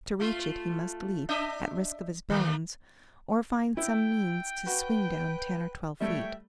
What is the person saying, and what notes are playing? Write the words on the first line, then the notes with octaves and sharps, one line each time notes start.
To reach it he must leap, at risk of his bones, or find some means to swing down ten or twelve feet.
A3 F4
D4 D#5 E5
D#3 A3 A#3
E4 G5
F#4 B4
G3 A3 F#4 C#5 E5 G5